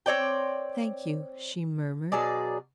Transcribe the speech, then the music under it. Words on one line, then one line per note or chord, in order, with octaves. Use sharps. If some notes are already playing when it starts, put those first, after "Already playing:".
"Thank you," she murmured.
C4 C#5 D5 G5
B2 F#3 G#4 D5